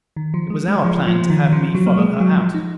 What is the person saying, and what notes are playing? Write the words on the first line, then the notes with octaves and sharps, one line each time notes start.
It was our plan to have me follow her out.
D#3
F3
G#3
G#3
F3
F3
D#3
F3
F#3
A#3
G#3
F#3
F3
D#4